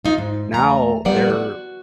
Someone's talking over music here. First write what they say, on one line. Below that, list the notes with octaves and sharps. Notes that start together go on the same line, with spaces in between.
now they're
D#3 D#4 F4
G#2
E2 A3 A#5
D#3 F3 G3 B3 D5 F#5
F#4